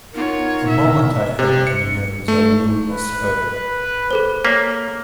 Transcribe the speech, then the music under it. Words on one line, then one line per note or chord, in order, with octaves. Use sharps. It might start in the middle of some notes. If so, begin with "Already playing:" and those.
The moment I heard the news I knew we must hurry.
B3 D#4 F4 A#4 C#5
E5
C3
C#7
A3
B4
G#4 A4 C5
A#3 C#5 B6